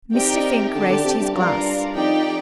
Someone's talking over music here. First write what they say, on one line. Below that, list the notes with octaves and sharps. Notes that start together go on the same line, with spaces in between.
Mr. Fink raised his glass.
C3 D#4 G4 A#4 D5 G5
D3 G4 D5 A5
D3
C3
G2
G2 D4 F4 A#4 D5
F2 D#4 G4 D5 G5